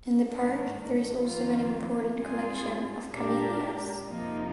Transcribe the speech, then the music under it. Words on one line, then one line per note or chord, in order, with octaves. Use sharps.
In the park there is also an important collection of Camellias.
G#2 D#3 A#3 D4
F2 D#3 A#3 F4
G#2 G3 C4 F4 G#4
A#2 G#3 D4 G4 A#4
F2 C3 F3 A#3 D#4